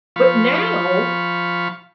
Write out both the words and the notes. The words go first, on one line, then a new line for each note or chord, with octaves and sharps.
But now,
F3 F5 B5 C#6